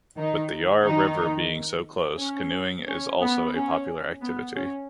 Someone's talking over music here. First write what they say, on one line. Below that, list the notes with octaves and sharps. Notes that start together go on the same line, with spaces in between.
With the Yarra River being so close, canoeing is also a popular activity.
D#3 D#4
D#3 D#4
C#4
C#4
B3
C#4
B3
C#4